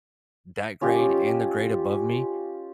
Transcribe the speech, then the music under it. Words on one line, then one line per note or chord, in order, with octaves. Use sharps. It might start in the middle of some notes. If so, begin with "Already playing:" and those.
that grade and the grade above me,
C#4 F4 G4 D#5